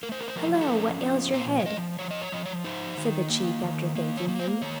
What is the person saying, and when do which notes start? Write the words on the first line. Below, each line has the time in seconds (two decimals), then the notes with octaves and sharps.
"Hello, what ails your head?" said the Chief, after thanking him.
0.03 A3 A#4
0.12 C5
0.20 A#4
0.28 C5
0.36 F3 A#4
0.54 F#4
0.61 A4
0.68 C#4 A#4
1.01 F3
1.34 A#2 C5
1.60 C#5
1.66 F3 D#5
1.99 F3 C#5
2.11 D#5
2.22 C#5
2.32 F3 D#5
2.45 C#5
2.64 D#4 C5
2.98 D#3
3.30 A#3
3.63 D#3
3.95 A#3
4.17 C#5
4.28 A#3
4.39 C5
4.62 D#3 C#5